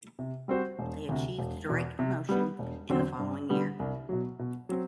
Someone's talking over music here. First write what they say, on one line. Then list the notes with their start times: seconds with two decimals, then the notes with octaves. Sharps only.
They achieve the direct promotion in the following year.
0.19 C3
0.48 G3 C4 F#4 C5
0.79 E1
1.09 D2 C3
1.39 E1
1.69 E2 B2
1.99 C3
2.29 G3 B3
2.59 E1
2.89 E2 D3 F#3 C4
3.19 G2
3.49 D3 G3 B3
3.79 C2
4.09 B2 F#3
4.39 B2
4.69 F#3 C4